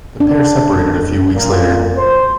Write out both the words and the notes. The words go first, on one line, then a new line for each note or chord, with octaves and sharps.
The pair separated a few weeks later.
D4
A#2
C5